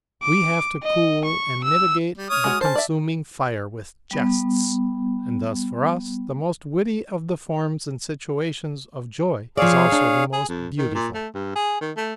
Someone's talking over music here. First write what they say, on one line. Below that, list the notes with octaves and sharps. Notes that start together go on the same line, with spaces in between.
We have to cool and mitigate the consuming fire with jests, and thus for us the most witty of the forms and situations of joy is also the most beautiful.
D6
D#5
C#6
E6
G3
C#5 D#6 F6
G#3 F#4
C#4 C5 A5
D5 E5
G3 B3
F3 G#4 C#5 D5 F5
D4
G#4
F2
D#3
A#2
A3
G2
G#4
D#3
A3